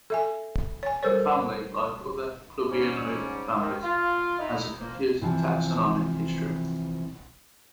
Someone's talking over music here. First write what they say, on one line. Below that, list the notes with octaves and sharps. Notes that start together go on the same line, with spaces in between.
The family, like other "clubionoid" families, has a confusing taxonomic history.
A4 E5 G#5
C#5 G#5
G3 A4 A#4 C5 C#5
G#2 G3 C#4
D#3 F3
F4
D#4 E4
F3 A#3 C5
C3 E3 F3